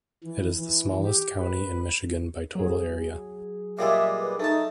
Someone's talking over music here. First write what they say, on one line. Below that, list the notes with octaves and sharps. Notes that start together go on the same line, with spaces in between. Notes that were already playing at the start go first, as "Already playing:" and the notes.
It is the smallest county in Michigan by total area.
E3
E3
G4
B4
F#3 G#4
A#2 G3 G#3 E5
B4
A3 D#4 A5